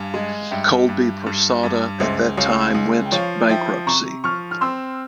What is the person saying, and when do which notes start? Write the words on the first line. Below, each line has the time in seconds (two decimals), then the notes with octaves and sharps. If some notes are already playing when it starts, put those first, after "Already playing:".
Colby Persada at that time went bankruptcy.
Already playing: G2 F5 G#5
0.14 G#3
0.51 G2 E5 G5
0.89 G2
1.26 G2
1.63 G2
2.00 C#2 C5 E5
2.37 C#2 C#5 F5
2.75 C#2
3.06 G5
3.12 F3 C#5 F5
3.49 F3 E5 G5
3.86 C3 A#5 C#6
4.24 F3 C#6 F6
4.51 F6
4.61 C4 C6 E6